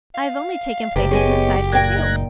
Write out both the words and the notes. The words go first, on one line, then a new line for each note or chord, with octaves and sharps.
I have only taken places inside for two.'
F5
F#1 C3 G4 B4
B3 G#4 C#5 D#5 G#5
A#2 G5 F#6 G#6 A#6
D#4